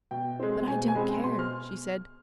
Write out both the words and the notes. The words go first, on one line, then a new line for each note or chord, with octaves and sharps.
"But I don't care!" she said.
B2 G5
G#3 C4
B2 G#5
G#5
G#3 C4 B5
B2 C6
F6